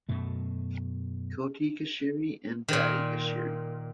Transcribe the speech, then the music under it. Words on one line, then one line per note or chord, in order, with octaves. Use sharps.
Choti Kacheri and Badi Kacheri.
F#2 B2 A3
A#2 D#3